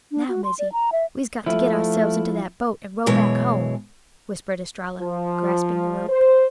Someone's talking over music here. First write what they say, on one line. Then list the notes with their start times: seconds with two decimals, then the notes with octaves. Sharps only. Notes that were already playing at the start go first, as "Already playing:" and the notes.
"Now, Missy, we's got to git ourselves into that boat and row back home," whispered Estralla, grasping the rope.
0.12 D4
0.29 F#4
0.44 C6
0.59 D5
0.72 A#5
0.92 E5
1.46 F3 A3 E4
3.06 F#2 B2 E3 G#3 C#5
4.99 F3
6.09 C5